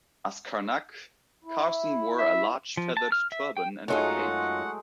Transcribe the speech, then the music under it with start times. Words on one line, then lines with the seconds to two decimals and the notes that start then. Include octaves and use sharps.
As Carnac, Carson wore a large feathered turban and a cape.
1.44 E4
2.19 E5
2.77 F3
2.97 A5
3.12 F6
3.32 E5
3.57 G5
3.88 F#2 F#3 G#3 A3 D#4 F4 F#4 F#5